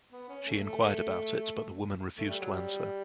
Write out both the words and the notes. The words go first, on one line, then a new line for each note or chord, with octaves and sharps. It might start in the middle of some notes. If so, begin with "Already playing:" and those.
She inquired about it but the woman refused to answer.
B3
C#4
A3
A3
A3
G3
F#3
G3